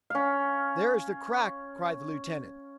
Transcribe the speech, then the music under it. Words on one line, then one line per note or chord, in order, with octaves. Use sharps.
"There is the crack!" cried the lieutenant.
C#4 F5